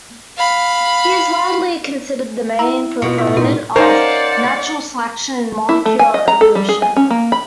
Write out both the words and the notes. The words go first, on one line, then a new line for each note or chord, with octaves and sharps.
He is widely considered the main proponent of natural selection in molecular evolution.
F5 B5
E4 E5 A#5
B2 F4 C#7
A2 E4 B6
A#2 G#3 C4 D#4 A#4 D5
C#4 D#4 A#4 C5 D5 F5 F#5
E4
A3
G#5
D#5
A#5
A4
G3
G#4
G#5
C#4
A#3
B5